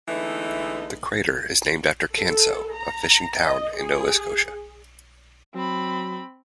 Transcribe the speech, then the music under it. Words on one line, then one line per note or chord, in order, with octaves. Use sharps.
The crater is named after Canso, a fishing town in Nova Scotia.
D3 E3 G#3 A3 B3 D#4
A4
A#5
D#5
G#4
F#3 C4 B5